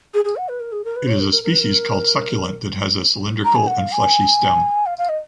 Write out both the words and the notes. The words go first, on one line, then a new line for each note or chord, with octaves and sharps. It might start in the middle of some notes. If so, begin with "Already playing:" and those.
It is a species called succulent that has a cylindrical and fleshy stem.
G#4
G#4
F#5
B4
A#4
G#4
A#4
B4
C#5
A#4
A#4
A#4
B4
A#4
A#5
G#5
F#5
F5
G#5
F5
F5
D#5